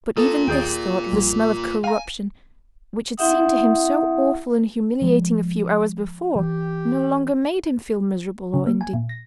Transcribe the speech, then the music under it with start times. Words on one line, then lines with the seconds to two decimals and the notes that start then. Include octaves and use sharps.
But even this thought of the smell of corruption, which had seemed to him so awful and humiliating a few hours before, no longer made him feel miserable or indignant.
0.17 F4 A4 A#4 D#6 E7
0.47 D#2 G4 G#4 D5
1.12 A#1 G3
1.84 F5 G#5 A#5
3.17 C4 E4 G4 E5 F#5 D#6
5.02 F3 G#3
6.36 E3 G4
8.54 C#3
8.67 A#3
8.81 G#5
8.93 A#2
9.09 A#6